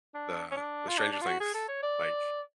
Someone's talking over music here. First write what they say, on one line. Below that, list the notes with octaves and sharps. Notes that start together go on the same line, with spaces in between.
the the Stranger Things, like,
D4
C#4
D4
F4
D4
D4
F4
F#4
G#4
A4
C#5
D5